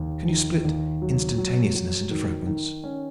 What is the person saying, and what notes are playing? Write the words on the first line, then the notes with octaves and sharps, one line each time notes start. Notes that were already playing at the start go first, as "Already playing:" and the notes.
Can you split instantaneousness into fragments?
Already playing: D#2
D#3
D#2
F#3
F#3
F#3
D#3
D#3
C#4